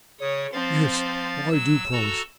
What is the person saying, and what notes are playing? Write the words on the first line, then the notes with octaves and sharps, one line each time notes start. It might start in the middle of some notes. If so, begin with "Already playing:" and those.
Yes, I do promise.
C#3 C#5 D#6
F3 C4 F5 A6
F#3 E6
F#4 A4 A#5